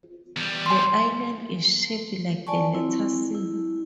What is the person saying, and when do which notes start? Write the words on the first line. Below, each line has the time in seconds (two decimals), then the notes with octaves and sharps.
The island is shaped like the letter 'C'.
0.37 E2 G3
0.66 G#5 C6
2.47 D5 G#5 A5 C#6
2.73 C4 E4
3.35 E4